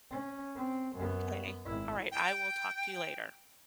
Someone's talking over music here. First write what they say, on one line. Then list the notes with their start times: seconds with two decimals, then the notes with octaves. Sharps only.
Okay. Alright, I will talk to you later.
0.10 C#4
0.55 C4
0.95 F#2 B3
1.65 G#1 E4
2.11 G5